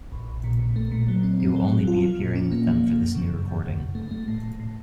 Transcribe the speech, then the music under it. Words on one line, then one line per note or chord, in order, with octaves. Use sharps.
He will only be appearing with them for this new recording.
A#1
A#1
A#2
A#2
A3
A#2
F#3
C4
C4
F#3
F#3
F4
F3
A#2
C#4
A#3
F3
F3
F#2
C#3
F#2
F#2
F#2
F#2
A3
A3
A2
A2
A2